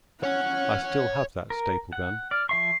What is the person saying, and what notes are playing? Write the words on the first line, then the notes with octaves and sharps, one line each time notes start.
I still have that staple gun.
C#5 F#5 G#5
A#4
F#5
D5 F6
F3 E5 C#6 C7